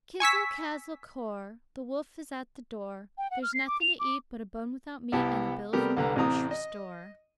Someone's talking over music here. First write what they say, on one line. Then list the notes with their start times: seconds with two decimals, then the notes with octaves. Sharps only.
"Kizzle-kazzle-kore; The wolf is at the door, There's nothing to eat but a bone without meat, And a bill from the grocery store."
0.20 G#5 C#6 E6 B6
3.18 G5
3.31 F#5
3.43 F6
3.54 C7
3.67 D6
3.81 F7
4.00 D6
5.12 C2 B3 E4 G4 A5
5.73 C3 G3 A3 B3 G4 A#4
5.97 C2 D3 B4 A#5
6.16 A1 C3 E3 C4 A#5 D#6
6.51 D#5